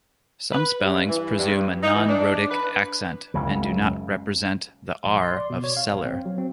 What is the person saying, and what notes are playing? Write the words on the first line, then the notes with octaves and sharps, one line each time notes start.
Some spellings presume a non-rhotic accent and do not represent the R of "cellar".
B4
G2
E3
G2
D#4
E3
D4
B4
F#1 C#2 C#3
A#1
C6
D5
B2
C#5
F5
A#1
C4
F#3
C4